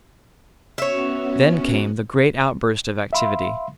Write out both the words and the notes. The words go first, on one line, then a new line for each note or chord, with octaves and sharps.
Then came the great outburst of activity.
B3 C#4 F#4 C#5 E5
E5 F5 B5 C6